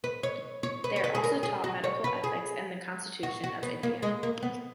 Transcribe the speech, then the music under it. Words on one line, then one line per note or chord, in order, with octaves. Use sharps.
They are also taught Medical Ethics and the Constitution of India.
B4
C#5
C#5
B4
C#5
B4
G#4
A#4
G#4
F#4
C#5
B4
G#4
F#4
F#4
B3
A#3
G#3
A#3
B3